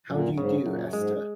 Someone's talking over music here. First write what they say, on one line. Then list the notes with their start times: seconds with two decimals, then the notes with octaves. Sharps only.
How do you do, Esther?
0.10 F#2 A#2
0.37 G#2 C#3
0.66 F#2 A#2
0.93 G#2 G#3